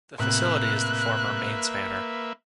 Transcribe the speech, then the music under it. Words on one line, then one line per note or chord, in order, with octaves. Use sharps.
The facility is the former Mains Manor.
A2 C3 A#3 B4 E5 F#6